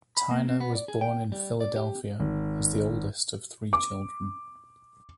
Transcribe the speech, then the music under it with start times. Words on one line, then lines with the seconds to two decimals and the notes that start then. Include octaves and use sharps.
Tyner was born in Philadelphia as the oldest of three children.
0.17 B5
0.31 A#3
0.48 C4
0.61 B3
0.75 D5
0.88 G#4
1.01 G5
1.32 G3
1.60 D5
1.76 G4
2.20 G#1
3.73 D6